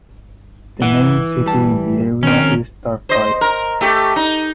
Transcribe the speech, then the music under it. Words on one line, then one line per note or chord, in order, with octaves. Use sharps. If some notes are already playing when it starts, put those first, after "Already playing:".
The main city in the area is Tarfaya.
E3 F#5
G3 A5
D#3 C4 C#4 A#4
C5 D#5
A#4
A3 G4
D#4